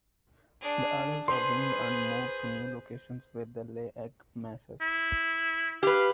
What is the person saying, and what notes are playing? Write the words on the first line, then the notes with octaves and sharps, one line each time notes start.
The adults are winged and move to new locations where they lay egg masses.
D4 G#4
G#4 B4 C5 C6
E4
G4 B4 F5